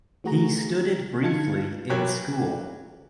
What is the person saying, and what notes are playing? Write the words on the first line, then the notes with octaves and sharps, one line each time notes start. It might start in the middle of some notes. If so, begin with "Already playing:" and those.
He studied briefly in school.
E3 A3 F#4 G#4 A#5
D3 D#4 F4 A5 G#6 C#7
E3 F#3 G4 A#4 C#5